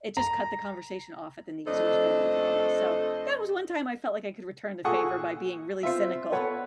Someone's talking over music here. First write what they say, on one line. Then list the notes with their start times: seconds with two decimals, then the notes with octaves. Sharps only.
it just cut the conversation off at the knees, there was no more drama. So, that was one time I felt like I could return the favor by being really cynical.
0.17 A#5
1.67 F2 A3 D4 A4 C5 D#5
4.84 A#2 G#4 A4 F#5 C#6 D#6
5.83 C4 F4 E5
6.32 B3 A4 B4 C#5 F#5